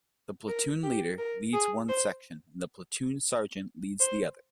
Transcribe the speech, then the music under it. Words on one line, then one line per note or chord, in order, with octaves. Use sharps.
The platoon leader, leads one section and the platoon sergeant leads the other.
A#4
G4
A#4
G#4
C5
C5